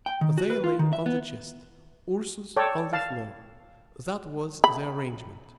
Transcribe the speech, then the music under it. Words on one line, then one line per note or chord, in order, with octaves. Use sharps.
They lay on the chest, Ursus on the floor; that was the arrangement.
G5
D#3
F#4
B4
F4
D#3
E5
B3
A4 C#5 D5 G5
F5 A5
B5